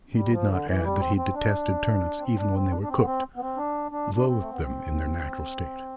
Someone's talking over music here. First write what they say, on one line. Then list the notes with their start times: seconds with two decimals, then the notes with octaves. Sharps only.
He did not add that he detested turnips even when they were cooked--loathed them in their natural state.
0.14 G3
0.31 F3
0.49 D3
0.66 E3
0.83 G3
0.99 C4
1.17 C4
1.34 D4
2.19 C4
2.37 D4
2.54 C4
2.71 D4
2.82 D4
2.88 C4
3.00 B3
3.05 C4
3.36 B3
3.41 C4
3.57 D4
3.91 D4
4.14 D4
4.27 C4
4.41 A3
4.51 B3
4.61 C4